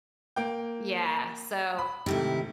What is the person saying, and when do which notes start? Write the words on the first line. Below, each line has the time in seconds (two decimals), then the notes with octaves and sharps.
Yeah, so
0.36 A#3 G5
1.79 B5
2.06 G#2 C3 D#3 A3 E4